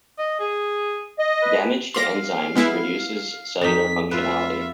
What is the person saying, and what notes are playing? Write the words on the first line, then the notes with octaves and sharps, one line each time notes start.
Damage to enzymes reduces cellular functionality.
D#5
G#4
D#5
B4
F5 C6 D6 A#6
G#3 B3 E4
F2 D#4 B6
F4 B4 E5